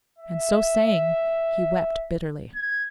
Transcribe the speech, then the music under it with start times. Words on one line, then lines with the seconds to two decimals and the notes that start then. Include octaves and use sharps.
And so saying he wept bitterly.
0.19 E5
2.55 G#6